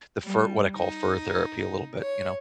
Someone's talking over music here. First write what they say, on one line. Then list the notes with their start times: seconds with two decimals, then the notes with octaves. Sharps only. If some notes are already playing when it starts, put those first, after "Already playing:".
the fur what I call "fur therapy," a little bit, you know,
0.24 G3
0.76 D#4
2.00 C#5